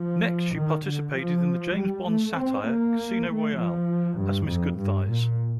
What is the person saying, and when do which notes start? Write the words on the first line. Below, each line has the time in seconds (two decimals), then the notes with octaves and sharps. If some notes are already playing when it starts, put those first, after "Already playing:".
Next, she participated in the James Bond satire, "Casino Royale", as Miss Goodthighs.
Already playing: F3
0.54 D#3
0.85 D3
1.14 F3
1.75 G3
2.06 A3
2.36 C4
2.66 A#3
3.26 A3
3.57 F3
4.18 G2
4.48 F2
4.78 G2
5.09 A#2